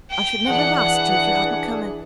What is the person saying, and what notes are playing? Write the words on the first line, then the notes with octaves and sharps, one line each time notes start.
'I should never have asked you, if you hadn't come in.
G5
E3 D4 G#4 F#5